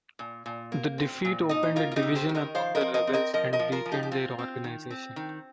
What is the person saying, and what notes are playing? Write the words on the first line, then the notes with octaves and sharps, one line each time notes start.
The defeat opened a division among the rebels and weakened their organization.
A#2
A#2
A#3
C4
A#2
D#4 D#5
C5
A#3 F4 A#4
F4
D#4 G4
C3
G4 C5
D#3
A#4 D#5
F3 C5 F5
A#4 D#5
C4
A#4 D#5
C4
A#4 D#5
F3 A#4 D#5
A#4 D#5
F3
F4 A#4
F3
D#4 G4
G4
C4 F4
C4
D#3
C4
D#3